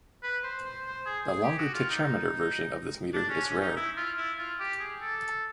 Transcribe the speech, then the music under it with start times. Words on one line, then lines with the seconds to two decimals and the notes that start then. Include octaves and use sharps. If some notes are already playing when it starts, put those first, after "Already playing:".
The longer tetrameter version of this metre is rare.
0.23 B4
0.43 C5
0.65 C5
0.86 C5
1.06 G#4
1.27 G#4
1.43 G4
1.58 F#4
1.74 F4
1.90 D#4
3.14 D4
3.29 C#4
3.45 C#4
3.61 D#4
3.76 E4
3.97 F4
4.18 E4
4.38 F4
4.60 G4
4.80 G#4
5.01 A4